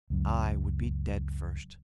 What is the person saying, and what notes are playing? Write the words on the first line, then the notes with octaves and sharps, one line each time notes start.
I would be dead first!
C#2 F#2